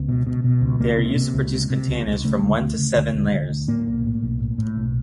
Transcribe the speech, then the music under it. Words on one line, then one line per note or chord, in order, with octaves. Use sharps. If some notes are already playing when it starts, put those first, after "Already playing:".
They are used to produce containers from one to seven layers.
Already playing: C#2 B3
B2
B2
B2
C#2
C#2 A#3
C3
C3
C#2
C3
C3
C#2
C#2
C#3 A3
D2
D2
C#3
D2
D2
D2
D2
A2 A#3
B1
A2
B1
A2
A2
B1